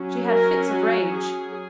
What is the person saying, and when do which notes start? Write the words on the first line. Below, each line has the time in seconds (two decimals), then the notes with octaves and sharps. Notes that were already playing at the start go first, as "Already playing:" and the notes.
She had fits of rage.
Already playing: F#3 C#4
0.25 A#4
0.69 F#4
1.13 G#4